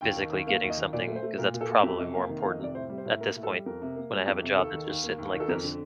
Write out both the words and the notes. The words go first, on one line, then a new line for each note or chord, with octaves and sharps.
physically getting something 'cause that's probably more important at this point when I have a job that's just sitting like this.
D#2 G5
D#3
D#2
A#3 F5
D#2
D#5
D#3
A#2 D5
A3
C5
A3
A#2 A#4
A#2
A4
A3
F2 G4
C3 D#5
A#3 F5
D#3
F5
F2
D#5
C3 D5
A2 C5
G3
C5
A2
A#3 A#4
A2
A4
G3
F2 A#4
C3
A#3
G3
F2
C3
D#2 A4
D#3
D#2
A#3
D#2
D#3
A4
F2 A#4
D3